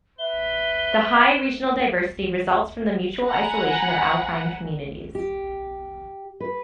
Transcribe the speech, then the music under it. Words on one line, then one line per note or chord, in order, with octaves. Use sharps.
The high regional diversity results from the mutual isolation of Alpine communities.
B4 E5 G7
F#5 G#5 A#5 B5
G4
B4